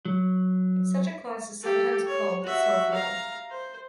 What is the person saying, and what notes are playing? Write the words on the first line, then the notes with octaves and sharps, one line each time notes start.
Such a class is sometimes called "self-low".
F#3
G4 A4
C#5
F#4 E5
F5 A#5
C5